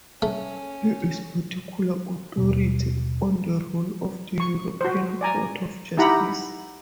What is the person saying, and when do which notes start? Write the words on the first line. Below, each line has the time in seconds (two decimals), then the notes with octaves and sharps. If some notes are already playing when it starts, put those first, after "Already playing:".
He is a particular authority on the role of the European Court of Justice.
0.22 A3 C#4
2.37 D#2 B2
4.40 C#6
4.81 F#4 C5
5.21 D5 G#5 A#5
5.97 D#4 E4 G4 F#5 A#5 B5